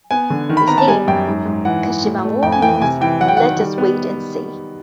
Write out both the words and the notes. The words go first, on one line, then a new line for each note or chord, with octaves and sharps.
His name, Kashimawo, means "Let us wait and see".
B3 G#5
D3
D#3
B5
B3 A#5
A5
G3 G#5
F#2 G5
G#2
G#2
E3 F#5
E3
A2
A3
F2 G5
G#5
E3 G5
C3 G#5
E3 G5
F#3 F#5
G5
D#3 F#5
G3
B3